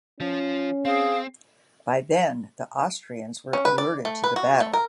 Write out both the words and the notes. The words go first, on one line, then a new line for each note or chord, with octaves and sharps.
By then the Austrians were alerted to the battle.
F3 C#4 F4
C4 G#4 F5
C#4
B4
D5
A3
B4
F#4
A3
A#4